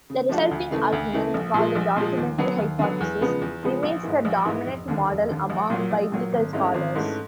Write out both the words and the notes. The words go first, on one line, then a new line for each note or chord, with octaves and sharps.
The resulting argument, called the documentary hypothesis, remains the dominant model among biblical scholars.
C#3
F3 A3 D4 F#4
D2
C#3 E3 A3
D2
C#3 E3 A3
A#1
A#2 F3 G#3
A#1
A#2 F3 G#3
D#2
D3 F#3 B3
D#2
D3 F#3 B3
E2
C#3 F3 G#3 B3
E2
C#3 F3 G#3 B3
A#1
G#2 E3
A#1
G#2 E3
F1
D#2 D3
F1
D#2 D3
A#1
A#2 F#3 A#3
A#1
A#2 F#3 A#3
G#1
G#2 E3 A3 C#4
G#1
G#2 E3 A3 C#4